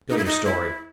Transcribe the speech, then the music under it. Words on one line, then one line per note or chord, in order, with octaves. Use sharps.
"Spill your story."
D#4
E4
D#4
E4